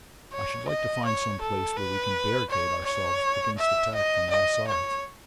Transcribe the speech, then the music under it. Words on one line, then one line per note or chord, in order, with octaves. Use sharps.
I should like to find some place where we can barricade ourselves against attack from all sides.
C#5
D#5
C#5
A4
B4
C#5
C#5
E5
D#5
D#5
C#5